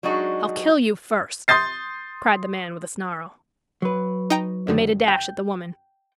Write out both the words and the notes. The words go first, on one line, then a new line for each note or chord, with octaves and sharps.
"I'll kill you first!" cried the man with a snarl, and made a dash at the woman.
F#3 G#3 D4 D#4 F#4 G#4
C6 D#6 G6 A6 C7
F#3 B4
D#4 G5 A#5
F#2 D3 D#3
G5